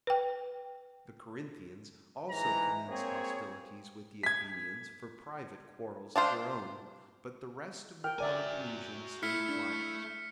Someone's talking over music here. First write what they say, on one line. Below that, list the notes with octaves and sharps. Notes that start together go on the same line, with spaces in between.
The Corinthians also commenced hostilities with the Athenians for private quarrels of their own; but the rest of the Peloponnesians stayed quiet.
B4 G5
G#2 E3 A#5
A#3 C4 G#4 C#5
G#6 B6
D4 F4 C5
A#4 G5 F6
F#4 A#4 D5 E5 G#5
A3 E4 A4 F6 B6 C#7
D4